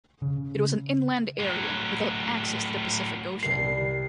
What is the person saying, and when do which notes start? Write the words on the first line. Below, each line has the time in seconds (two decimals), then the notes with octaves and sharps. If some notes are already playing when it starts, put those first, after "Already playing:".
It was an inland area, without access to the Pacific Ocean.
0.22 C#3
1.40 A2 F#3
3.43 C2 G3 A#4 C7